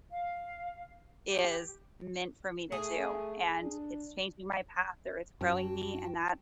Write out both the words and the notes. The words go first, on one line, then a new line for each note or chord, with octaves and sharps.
is meant for me to do, and it's changing my path or it's growing me, and that's
F5
G4
A3 G#4
D4
F#2 F#3 F#4 G5 A5